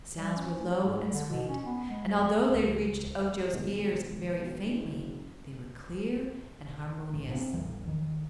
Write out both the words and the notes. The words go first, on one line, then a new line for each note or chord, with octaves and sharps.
The sounds were low and sweet and, although they reached Ojo's ears very faintly, they were clear and harmonious.
G3
C#4
A3
G#2
G3
D3
B2
C#4
B3
G#3
E2
C#2
B2 D#3 G#3
B1
F#1
A1
C3 B3 C4 D4
A1 E2 E3 G3
D#3